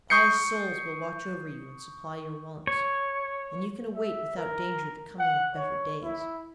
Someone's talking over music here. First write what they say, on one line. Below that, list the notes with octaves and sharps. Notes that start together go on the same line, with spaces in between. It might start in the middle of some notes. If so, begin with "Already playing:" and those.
Pious souls will watch over you and supply your wants; and you can await without danger the coming of better days.
C#6 D#6 G6 C7 C#7
C#5
E5
A#4
F#5
C#5
E4